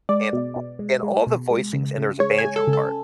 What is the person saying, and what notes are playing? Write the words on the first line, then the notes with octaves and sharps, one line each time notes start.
And al and all the voicings and there's a banjo part,
G#3 D5
B2
B2
G#3
G#3
B2
G#3
C#3
C#3
G#3 C#5
G#5
G#3
A4
C#3
A4